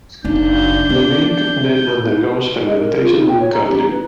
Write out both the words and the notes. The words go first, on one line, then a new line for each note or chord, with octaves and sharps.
The milk then undergoes fermentation and curdling.
F#1 D4 D#4 G6
B3
D#5
A#4
F4
D#4
G5
C#5
A#5
G4
A#5
B4